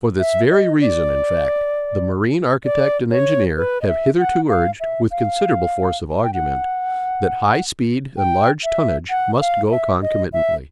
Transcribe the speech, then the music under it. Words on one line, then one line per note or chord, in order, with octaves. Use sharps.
For this very reason, in fact, the marine architect and engineer have hitherto urged, with considerable force of argument, that high speed and large tonnage must go concomitantly.
E5
D#5
D5
D5
C#5
B4
D#5
E5
F#5
F5
E5
F5
G5
F#5
G5
E5
F#5
F5
E5
D#5
E5